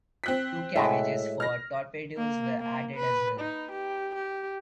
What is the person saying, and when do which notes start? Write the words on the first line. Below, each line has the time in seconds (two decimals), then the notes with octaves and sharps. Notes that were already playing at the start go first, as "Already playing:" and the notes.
Two carriages for torpedoes were added as well.
0.24 C4 F#6 B6
0.76 A2 G#3 F#4 E5
1.40 F6 A#6
2.17 A#3
2.60 A#3
2.96 B4
3.40 D#4
3.72 G4
4.15 G4